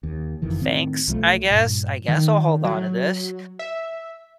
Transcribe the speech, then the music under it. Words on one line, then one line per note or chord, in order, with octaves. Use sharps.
"thanks, I guess. I guess I'll hold on to this."
D#2
F#1 F2 D#3 E3
A2 D#3 C4
B1 F3 G3 A3
G2 A#2
D#3
F#3
E5